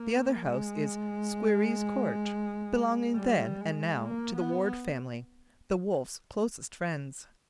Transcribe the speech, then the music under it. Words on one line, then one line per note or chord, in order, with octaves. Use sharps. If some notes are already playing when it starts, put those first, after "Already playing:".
The other house is Squerryes Court, belonging then and now to the Warde family, the Wolfes' closest friends.
Already playing: A#3
G#3
G3
G#3
A#3
B3